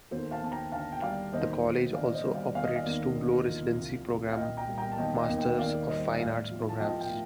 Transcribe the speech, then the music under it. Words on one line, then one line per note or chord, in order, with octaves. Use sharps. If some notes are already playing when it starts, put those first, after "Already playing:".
The College also operates two Low-residency program, Masters of Fine Arts programs.
D#2 A4 C5
F5 A5
D#2 A5
G5 A#5
D3 F5 A5
G5
G3 D5 F5
D#2 C5 D#5
D#2
D3 D5 F5
C5 D#5
G3
D5 F5
D#2 F5
D#5
D5 F5
D#2
D3
F3
C2
C2
F5
A#2 D#5 G5
G5 A#5
G3
G5 A#5
A5
D#2 D#5 G5
D#5 G5
D#2
D#5 G5
D#3 D5 F5
G3 C5 D#5
A2 D5 F5
F3
A5
F3 D#5 G5
G5
A2